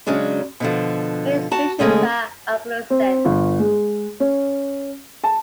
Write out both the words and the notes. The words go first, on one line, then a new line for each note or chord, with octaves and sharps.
Many species are acaulescent.
C#3 F#3 G#3 C#4 D4
B2 D3 F3
F#4 A5
D#2 C#3 G#3 A3 C#4
C4
G1
G#3
C#4
A5